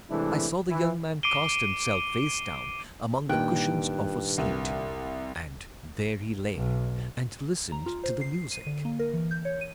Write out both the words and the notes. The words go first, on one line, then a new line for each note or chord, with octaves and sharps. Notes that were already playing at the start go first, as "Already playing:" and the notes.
I saw the young man cast himself face down among the cushions of a seat, and there he lay and listened to the music.
C3 E3 G#3 A3 D4 E4
E3 E4
D6 C7 D7 D#7 G7
G2 A#2 D#3 G5 F#6
C2
B1
A#5
F4
C5
C7
D#7
D3
A#3
A#4
E3
G6
C#5
D#7